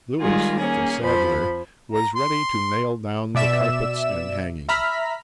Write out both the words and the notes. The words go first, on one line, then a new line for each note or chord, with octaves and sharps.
Lewis the saddler was ready to nail down the carpets and hanging.
D#3 G3 G#3 F4 G#4
A#3 C#4 G#4
F2 F3 C5 B5
A#5
C6
B2 D5 E5 E6 E7
E5 A#5 B5 F6 B6